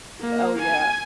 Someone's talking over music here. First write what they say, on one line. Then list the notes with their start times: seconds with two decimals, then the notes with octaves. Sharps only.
Oh, yeah.
0.20 A#3
0.59 G#5